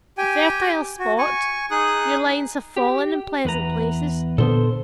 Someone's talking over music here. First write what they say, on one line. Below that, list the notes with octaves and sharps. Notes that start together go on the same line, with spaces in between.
A fertile spot! your lines have fallen in pleasant places!
G4 G5 G#5
F#4
G#5 C#6
D#4 G#4 D#6 F#6
G4
E2 B4 A#5
A#2 D3 B3 A4 C5